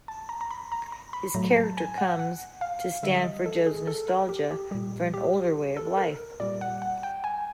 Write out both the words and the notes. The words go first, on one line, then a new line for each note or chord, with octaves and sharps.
His character comes to stand for Joe's nostalgia for an older way of life.
A5
A#5
A#5
B5
A#5
A#5
B5
A2 F#3 A3 A#5
A5
G#5
F#5
F#5
F5
D3 G3 E5
D#5
A4
G#4
A4
A#4
G4
G4
A#2 G3 G4
G4
A4
A#4
A#2 G3 D5
F#5
F#5
G5
G#5